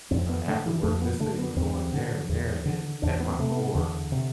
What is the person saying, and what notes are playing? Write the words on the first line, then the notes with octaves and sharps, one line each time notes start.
uh, after work this day, we're going there and there," and at my core,
F2 C4
B3
D3 A3
E3
F2 A3
B3
D3 A3
B3
E2 C4
D3
E2
D3
E2 D4
B3
C4
C3 A3
B3
E2 D3
C3